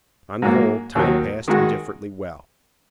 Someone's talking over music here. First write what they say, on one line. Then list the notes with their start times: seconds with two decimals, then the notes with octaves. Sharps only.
On the whole, time passed indifferently well.
0.42 G#2 F#3 A#3
0.95 D#2 D#3 F#3
1.48 D#3 G#3 F#4